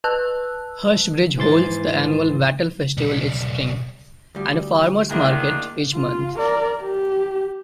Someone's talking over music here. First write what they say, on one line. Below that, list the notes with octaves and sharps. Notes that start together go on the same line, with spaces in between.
Hurstbridge holds the annual Wattle Festival each spring, and a farmer's market each month.
B4 A5 E6 F#6
G#2 E3 C6 A6
B1 G3
D2 G3
D#3 A#3 D4 E4 F4 G#4
F4
A#4 D5
G4